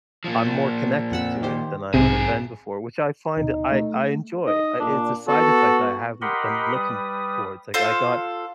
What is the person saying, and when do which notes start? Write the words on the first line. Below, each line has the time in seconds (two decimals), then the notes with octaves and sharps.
I'm more connected to it than I've ever been before, which I find I I enjoy. I it's a side effect I haven't been looking towards. Like, I got
0.24 A#2 F3
1.11 F2 F#5 E6
1.42 D#3 G4 C5
1.94 B1 G#2 C3 C4 G#4
3.37 D2 B2 D#4
3.72 A3
4.47 D#4 D#5
4.80 A#2 D4
5.28 B3 F#4 A4
6.22 G4 A#4 D#5 F#5 B5 C6
6.74 G3 B4 D#6
7.74 F4 A4 C5